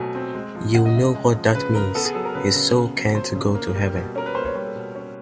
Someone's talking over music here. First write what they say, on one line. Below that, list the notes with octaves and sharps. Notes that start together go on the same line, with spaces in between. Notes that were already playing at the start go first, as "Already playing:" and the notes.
You know what that means; his soul can't go to heaven.
Already playing: B2 F#3 A3 C4 G#5
C4
G#3
F3
C#3 F#5
D#5
C#3 E5
G#3
F3
C#3 B4
C#3 A#4
B3 A4
G#4
F#3 A4
A#4
C#3 B4
C#3
B3
F#3
C#3 C5
C#3
A#3
G3
B2
C#4 A#4
B4
A#3 C5
C#5
G3 C5
A4
B2
C#4